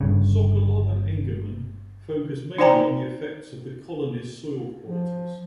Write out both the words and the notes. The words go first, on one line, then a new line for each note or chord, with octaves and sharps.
Sokoloff and Engerman focus mainly on the effects of the colonies' soil qualities.
G1 G2 C#3
D#4 C5 D5 G5 G#5 A#5
F3